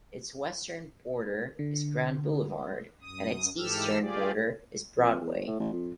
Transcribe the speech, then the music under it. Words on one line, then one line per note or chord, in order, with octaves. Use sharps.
Its western border is Grand Boulevard and its eastern border is Broadway.
D3
F#2 D#6
G#2 E3 G4 A4 E6 F6
A3 F4 G4 G#4 D5
F2
E2
G1
A2
A1
F2